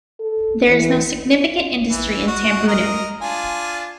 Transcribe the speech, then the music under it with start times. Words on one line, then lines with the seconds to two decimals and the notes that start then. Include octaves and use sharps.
There is no significant industry in Tambunan.
0.20 A4
0.70 E3
1.91 E3
2.27 F#4
2.68 A#4 D#5
3.22 D4 F4 G#5